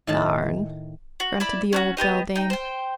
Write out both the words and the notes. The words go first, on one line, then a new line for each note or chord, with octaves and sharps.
"Garn!" grunted the old beldame.
A2 D#3 A5
F#4
E4 D5 B5
C#4 D4 F#4
B3 F#4 G4 D#5
D#4 G5
C5 G5